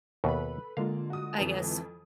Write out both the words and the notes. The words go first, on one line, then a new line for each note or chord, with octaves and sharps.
I guess,
D#2 B2 A4 B4 B5
D3 G#3 A#3 F4 F5
F#4 D#6
F2 E3 A5